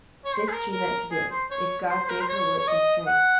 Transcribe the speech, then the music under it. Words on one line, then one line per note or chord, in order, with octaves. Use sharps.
This she meant to do, if God gave her wits and strength.
C#5
C5
G#4
A#4
A#4
G#4
C5
C#5
C5
C5
A#4
C5
C#5
C#5
D#5
F#5